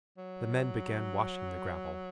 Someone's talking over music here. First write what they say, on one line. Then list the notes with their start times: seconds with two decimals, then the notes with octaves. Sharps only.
The men began washing the gravel.
0.17 F#3